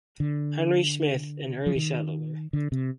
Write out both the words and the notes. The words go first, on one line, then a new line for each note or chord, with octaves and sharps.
Henry Smith, an early settler.
D3
F3
D#3
D3
C3